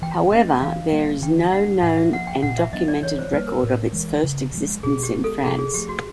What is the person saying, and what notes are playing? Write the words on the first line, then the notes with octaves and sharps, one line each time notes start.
However, there is no known and documented record of its first existence in France.
E3 G5
A3 C#4 D#5
E3 F5
G3 A#3
D#3 G5
G3 A#3 D4 F#5
A2 F#5
E5
F3 A#3 F#5
G5
A#2 F#5
E5
F#3 B3 D4 D#5
D5
E3 C#5
C5
G3 A#3 B4
A#4
A2
E3 G#3
C#3
F3 G#3
B2 G#4
G4
G#3 B3
A4
C3 G#4
G#4
F3 A3 G4
F#4